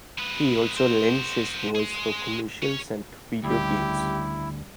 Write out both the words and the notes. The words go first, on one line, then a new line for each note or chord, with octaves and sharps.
He also lends his voice for commercials and video games.
G#3 B4
F#4 C5
G#4 C6
C#4
D2 C#3 G3 E4 G4